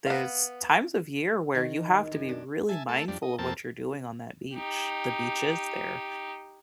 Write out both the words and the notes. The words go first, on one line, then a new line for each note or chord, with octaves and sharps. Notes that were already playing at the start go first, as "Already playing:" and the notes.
there's times of year where you have to be really mindful of what you're doing on that beach the beaches there,
B3 F5
D#3
F#2
D4
E5 G#5 A5
A3 A4
F2 G3 D4
D#5
F2 A#3 C4 A4 A5
D#4 G4